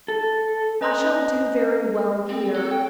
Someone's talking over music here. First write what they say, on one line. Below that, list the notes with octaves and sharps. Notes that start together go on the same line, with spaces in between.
I shall do very well here.
A4
C#4 B4 D#5 A#5 F#6
C4
A4
G5